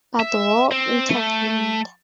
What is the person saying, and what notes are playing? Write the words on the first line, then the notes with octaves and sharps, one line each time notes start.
But war intervened.
E5
C4
A3